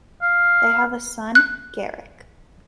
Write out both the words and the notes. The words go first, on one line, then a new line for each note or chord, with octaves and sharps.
They have a son Garrick.
F5
F#6